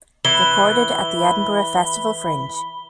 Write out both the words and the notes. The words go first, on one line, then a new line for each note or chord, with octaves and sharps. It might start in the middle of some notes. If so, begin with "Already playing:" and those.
Recorded at the Edinburgh Festival Fringe.
E3 B5 G7